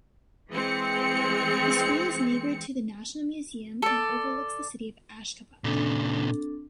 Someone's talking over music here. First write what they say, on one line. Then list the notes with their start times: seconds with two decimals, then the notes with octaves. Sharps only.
The school is neighbor to the National Museum and overlooks the city of Ashgabat.
0.50 E3 G#3 C4 C#7
3.82 A4 D5
5.64 A#2 C#3 C4 D4 A4